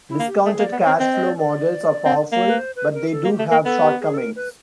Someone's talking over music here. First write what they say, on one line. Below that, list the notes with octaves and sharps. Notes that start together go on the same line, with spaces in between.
Discounted cash flow models are powerful, but they do have shortcomings.
E4
A#3
G4
A3 G#4
A#3
D5
B3
C4 C#5
C4 D#5
D#5
D5
D5
C4
A#3
B4
C5
B4
A#4
A4
A#3
G4
A3
A#3 A#4
B3 A4
G4
G#4
A4
A#4
B4